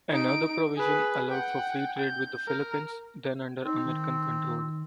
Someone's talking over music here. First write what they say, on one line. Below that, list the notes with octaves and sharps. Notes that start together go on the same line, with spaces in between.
Another provision allowed for free trade with the Philippines, then under American control.
D#4 D7
G#4 B4
F#5 G5
G6
A#4
C4 D#4
D#3